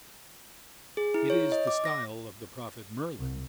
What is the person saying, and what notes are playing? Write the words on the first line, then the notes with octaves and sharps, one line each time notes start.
It is the style of the prophet Merlin.
G#4
E4
C#5
D#5
D6
A#6
C2